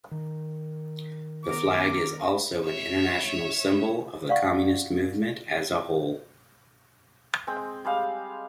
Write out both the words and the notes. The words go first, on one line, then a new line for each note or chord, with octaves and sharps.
The flag is also an international symbol of the communist movement as a whole.
D#3
B3 A#4 D6
C#5 E5
D5 F5 F#5 C#6
G#3 C4 G5 D#6
G3 G#3 F5